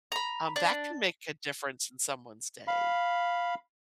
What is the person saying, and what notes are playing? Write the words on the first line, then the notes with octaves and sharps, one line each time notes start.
um, that can make a difference in someone's day.
A#5 B5
D4
F5 B5